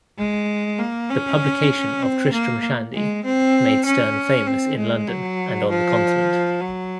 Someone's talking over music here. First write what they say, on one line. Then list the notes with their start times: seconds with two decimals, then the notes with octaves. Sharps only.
The publication of "Tristram Shandy" made Sterne famous in London and on the continent.
0.18 G#3
0.79 A#3
1.10 C#4
2.02 C4
2.33 A#3
2.94 G#3
3.24 C4
3.85 C#4
4.47 C4
4.77 G#3
5.08 F#3
5.69 F3
6.61 F#3